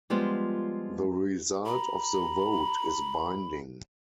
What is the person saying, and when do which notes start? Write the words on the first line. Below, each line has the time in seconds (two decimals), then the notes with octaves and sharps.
The result of the vote is binding.
0.10 F3 G3 G#3 B3 F4
1.66 A#5 B5